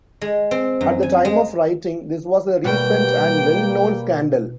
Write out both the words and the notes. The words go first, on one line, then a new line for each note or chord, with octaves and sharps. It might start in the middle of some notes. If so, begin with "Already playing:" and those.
At the time of writing, this was a recent and well-known scandal.
G#3
C4
F#2
G#5
G#3
B2 G3 A#3 G5